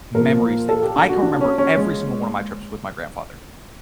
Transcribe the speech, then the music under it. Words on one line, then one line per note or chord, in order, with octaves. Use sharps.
memories that I can remember every single one of my trips with my grandfather.
A#2 F3 A#4
A4
G4
D4
F#4
D4
C#4
C#4
G#3